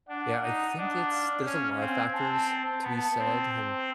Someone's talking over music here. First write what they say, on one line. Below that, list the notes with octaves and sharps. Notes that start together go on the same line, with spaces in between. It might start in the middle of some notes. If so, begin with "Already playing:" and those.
Yeah, I think it's there's a lot of factors to be said and
D4 F#5
D#4
D4 F#5
F5
C#4
C4 G#5
C4 A5
A5
B3 A5
C4
G5